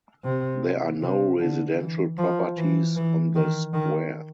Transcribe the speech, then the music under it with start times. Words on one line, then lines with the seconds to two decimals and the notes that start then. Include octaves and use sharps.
There are no residential properties on the Square.
0.24 C3
1.01 C3
1.40 D3
1.80 E3
2.18 F3
2.57 E3
2.96 E3
3.35 D#3
3.73 D#3